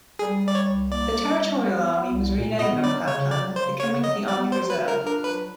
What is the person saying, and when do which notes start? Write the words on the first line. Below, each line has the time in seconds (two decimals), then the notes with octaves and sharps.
The Territorial Army was renamed under that plan, becoming the Army Reserve.
0.19 G3 G#4
0.43 G3
0.48 D5
0.55 C#5
0.67 C2
0.91 A#3 D5
1.16 G3
1.39 G3
1.63 B3
1.87 B3
2.12 C2
2.36 A#2
2.59 B3 D#5
2.84 F#3 D5
3.07 C#3 C#5
3.31 F#3 D5
3.55 C#3 C5
3.80 C#3 C#5
4.03 F#3 D#5
4.28 B3 D5
4.51 F#3 C5
4.70 B4
4.77 F4
4.88 A#4
5.00 D4
5.06 A#4
5.24 F#3 B4